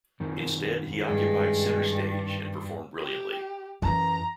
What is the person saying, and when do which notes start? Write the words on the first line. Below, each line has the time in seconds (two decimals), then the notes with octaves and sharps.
Instead, he occupied centre-stage and performed brilliantly.
0.20 F#2 D#3 C4
1.07 G2 G#3
3.03 G4
3.82 F#2 E3 A#5